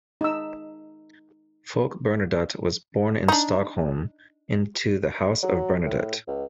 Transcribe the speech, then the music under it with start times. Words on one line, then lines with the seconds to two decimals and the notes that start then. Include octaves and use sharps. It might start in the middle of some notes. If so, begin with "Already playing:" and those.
Folke Bernadotte was born in Stockholm into the House of Bernadotte.
0.21 D#4 E6
3.28 D4 D#4
5.43 F#3
5.86 A2
6.28 C#2